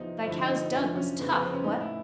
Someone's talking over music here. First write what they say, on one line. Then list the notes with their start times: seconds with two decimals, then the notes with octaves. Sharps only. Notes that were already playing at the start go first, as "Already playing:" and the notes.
Thy cow's dug was tough, what?
Already playing: E2 C3 F3 D#4
0.26 G2 D3 F3 E4
0.41 D#4
0.72 F2 C3 F3 D4
0.96 C#4
1.19 F2 C#3 F3 B3
1.30 B3
1.42 C4
1.53 C#4
1.64 A2 E3 D#4
1.80 E4